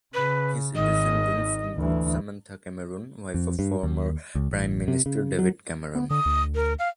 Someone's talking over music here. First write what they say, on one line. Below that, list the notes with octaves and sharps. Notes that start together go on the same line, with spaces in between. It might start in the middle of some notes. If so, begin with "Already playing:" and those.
His descendants include Samantha Cameron, wife of former Prime Minister David Cameron.
C#3 B4
G#1 D#3 D#5
D2 E3
F2
G2
D#2
C#2
A1
C3
C#3
F#3
B3
D3 D#6
D2
A#4
F5